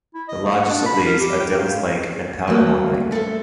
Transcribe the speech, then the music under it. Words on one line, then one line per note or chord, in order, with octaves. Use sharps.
The largest of these are Devil's Lake and Powderhorn Lake.
E4
D#5
A3
F#5
D4
B5
A#4
G4
G5
F5
F#2 G3 A3 A#3 F#6
A4 C5 E5